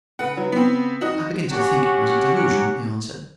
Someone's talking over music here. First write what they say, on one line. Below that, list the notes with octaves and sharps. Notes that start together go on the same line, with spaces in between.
"I begin to think it was a delusion," he answered.
C#3 B4 F#5
F#3
B3 C4
F2 D#4 F#4 D#5
F#3 C#4 F#4 G4 F#5